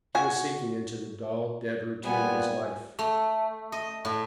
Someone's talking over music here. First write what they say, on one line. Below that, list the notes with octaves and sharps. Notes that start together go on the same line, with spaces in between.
He was sinking into the dull, dead routine of his life.
F#4 G#5
A#2 G3 B3 G#5
A3
D#5
A2